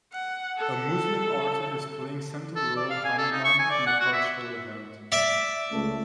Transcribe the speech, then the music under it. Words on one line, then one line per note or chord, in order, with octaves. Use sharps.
A Muslim artist is playing central role Hanuman in the cultural event.
F#5
A4
A4
D5
F5
G#5
A4
D#4
C#6
G#5
D5
F#5
F#4
E5
D5 E5
C#2 A3